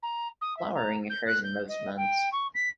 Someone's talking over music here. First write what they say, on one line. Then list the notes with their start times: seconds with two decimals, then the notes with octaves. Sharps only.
Flowering occurs in most months.
0.03 A#5
0.41 D#6
0.57 E5
0.75 A#5
1.10 G6
1.27 F#6
1.43 G6
1.68 D#5
1.97 G5
2.32 C#6
2.55 B6